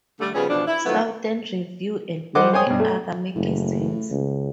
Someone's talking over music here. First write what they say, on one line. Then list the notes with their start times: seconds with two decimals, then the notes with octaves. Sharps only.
"Southern Review", and many other magazines.
0.20 D3 G3 A3
0.33 C#3 F3 G3 B3 C#4 G#4
0.49 B2 E3 F3 D4
0.67 E4
0.86 D#3 F3 F#3 A3 B3
2.35 G3 C5 D#5 F#5 D6
2.53 C5 C#5 G5 G#5 D#6
2.66 G2 B2
2.80 A3
3.35 F#1 A2
4.10 C#2